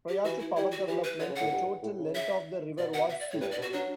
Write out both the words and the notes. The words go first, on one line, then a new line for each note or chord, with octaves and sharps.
Prior to power development the total length of the river was c.
G4
E3 F#4
E4
G3 E4
F#4
E3 G4
B4
D3 C#5
C#3
A2 F#5
G2
A2
C#3
E5
B2 D5
F#5
E5
D5
C#5
A2
G2 B4
D5
B2
F#4
F#3 D4